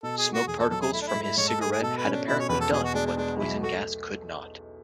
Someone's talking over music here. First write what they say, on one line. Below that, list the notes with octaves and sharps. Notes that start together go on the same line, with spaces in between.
Smoke particles from his cigarette had apparently done what poison gas could not.
B2 A4
G#4
A3
F#4
E2 G#4
A4
F#3 A4
G#4
A3 E4
D4
E4
G#2
E4
G#2 C#5
A4
A3 G#4
G#4
B2 A4
B4
C#4
D4
B2 E4
C#5
E2 B4
A4
B2 G#4
F#4
G#3 D4
D4
G#3 D4
B1 E4
A3 F#4